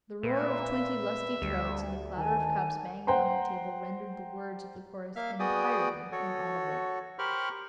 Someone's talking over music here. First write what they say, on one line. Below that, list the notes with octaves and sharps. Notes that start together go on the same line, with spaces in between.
The roar of twenty lusty throats and the clatter of cups banging on the table rendered the words of the chorus entirely inaudible.
A#2 B4 E5
D2 G3
D#3 G#5 A5
C5 F#5 G5 A#5 C6
A#3 E5 F5 F6
B3 F#4 G#4 D5 G5 D#6
F#4 A4 C#5
G4 A#4 C5 B5 C#6 F6